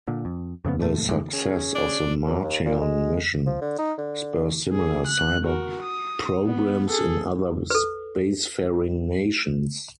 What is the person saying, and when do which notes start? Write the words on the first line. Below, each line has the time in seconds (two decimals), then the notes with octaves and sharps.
The success of the Martian mission spurs similar cyborg programs in other spacefaring nations.
0.08 A#2 D3
0.25 F2
0.65 F2 C#3 G3 B3
0.79 F#2 A#2 A3
1.09 A1 D2 G2 G#3
1.33 C#4 G#4
1.75 D4
2.27 F#2
2.42 D#2
2.65 A#2
2.81 G#3
3.46 F3
3.61 D3
3.79 D#4
3.98 D3
4.72 G#4
5.07 F#6
5.44 F#4 A#4
5.82 D#6
6.46 B3
6.88 G#4 A4
7.70 A4 B4